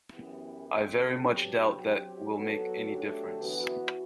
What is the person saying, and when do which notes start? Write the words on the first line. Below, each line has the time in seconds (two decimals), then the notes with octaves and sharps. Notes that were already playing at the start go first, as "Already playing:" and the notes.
I very much doubt that that will make any difference.
0.12 F#2 E3 B3 E4 G4
0.66 D3 G3 C4
1.21 F#3 B3 D4 G4
1.76 F#3 C4 G4
2.31 F#3 B3 F#4 A4
2.85 D3 F#3 A3 D4 G4
3.40 E3 B3 F#4